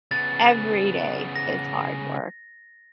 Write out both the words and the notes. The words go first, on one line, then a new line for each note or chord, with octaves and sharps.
every day, it's hard work.
C#3 B3 A6
A#6